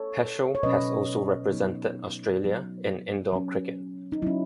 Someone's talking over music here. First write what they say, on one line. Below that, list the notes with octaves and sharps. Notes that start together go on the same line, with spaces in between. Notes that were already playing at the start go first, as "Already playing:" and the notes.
Peschel has also represented Australia in indoor cricket.
Already playing: A4 C#5
C#5
B2 F#3 C#4 B4 D#5
F#3 B3 D#4
F#3 B3 D#4
F#3 C#4
D#4
F#3 C#4 E4